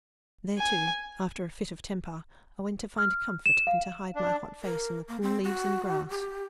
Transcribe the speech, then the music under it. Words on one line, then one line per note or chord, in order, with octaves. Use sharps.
There, too, after a fit of temper, I went to find comfort and to hide my hot face in the cool leaves and grass.
G#5
F6
E7
F5
D4
A#4
A#3
C4
F#4
G4